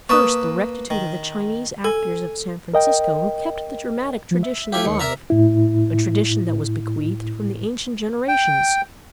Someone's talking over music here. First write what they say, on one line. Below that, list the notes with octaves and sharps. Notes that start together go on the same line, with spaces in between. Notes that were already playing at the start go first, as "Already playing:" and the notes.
First: the rectitude of the Chinese actors of San Francisco who kept the dramatic tradition alive, a tradition that was bequeathed from the ancient generations.
A#3 B4 A5 C#6 D#6
D#3
A4 G#5
A#4 D#5 G5
F3
E5
A3 E4 G4 F5
D#2 C#7
A#4 D5 E5 A#5
A2 E4
G5